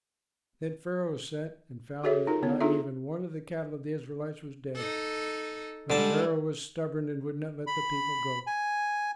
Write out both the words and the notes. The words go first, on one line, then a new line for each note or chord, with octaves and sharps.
Then Pharaoh sent and found that not even one of the cattle of the Israelites was dead; but Pharaoh was stubborn and would not let the people go.
F#4 G#4 A4 C#5 E5
D#4 F4 A#4
D3 B3 C#5
D4 D#4 F4 G#4 A4 E5
D#4 A4
D3 G3 G#3 A5
B5
G#5